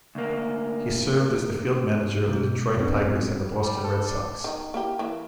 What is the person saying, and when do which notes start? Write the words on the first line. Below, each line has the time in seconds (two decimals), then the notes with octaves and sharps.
He served as the field manager of the Detroit Tigers and Boston Red Sox.
0.15 D2 A#3
2.28 B2 G#3
2.77 F#2 A2 G#3 B3 C4 D4
3.63 G3
3.84 A4
4.07 D4
4.44 D#3 D#4
4.74 A#3 E4 G4
4.99 E3 A#3 E4